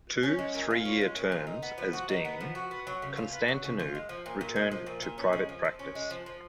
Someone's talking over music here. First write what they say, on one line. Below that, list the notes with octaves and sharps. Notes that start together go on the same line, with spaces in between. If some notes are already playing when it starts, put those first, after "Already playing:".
After two three-year terms as Dean, Constantinou returned to private practice.
C#4
G#3
A#2
F4
C#4
G#3
A#2
F4
D#4
B3
F3
F#4
D#4
B3
F3
F#4
B3
F#3
C#3
F4
B3
F#3
C#3
F4
G#3
F3
A#2
A#2
G#3
F3
A#2
A#2
C#4
G#3
F3
F3
C#4
G#3
F3
F3